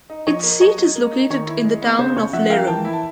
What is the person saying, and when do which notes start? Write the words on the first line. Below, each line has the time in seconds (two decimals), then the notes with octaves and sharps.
Its seat is located in the town of Lerum.
0.10 D#4
0.27 F3 C#5 D#5
0.43 A#3
0.61 F#3 C#5 D#5
0.78 F#3
0.96 A#3
1.12 D#4
1.30 D#3 C#5
1.47 E4
1.64 G#3
1.82 B3
1.99 C#3 C5
2.16 C#3 C#5
2.33 F3 E5 F#5
2.50 A#3 F5 G5
2.67 E3 G5 A5
2.85 E4
2.93 A5